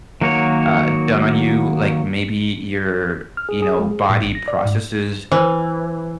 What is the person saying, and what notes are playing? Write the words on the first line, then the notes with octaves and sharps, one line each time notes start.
uh, done on you, like, maybe your you know body processes
D#3 F#3 A#3 F#4 C#5
F6
G#4
G#4
G#3
G#4
A2
G#1
A#6
D5
G#2
E3 B4 C5